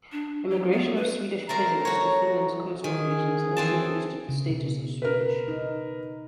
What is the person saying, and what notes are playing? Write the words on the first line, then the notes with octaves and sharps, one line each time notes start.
Immigration of Swedish peasants to Finland's coastal regions also boosted the status of Swedish.
D4
F#3
B3
B4
A3 C4 A#4 A#5
F#4 C#5
D#3 G#4
E3 C4 A5
C#3
B2
A#4 B4
D#4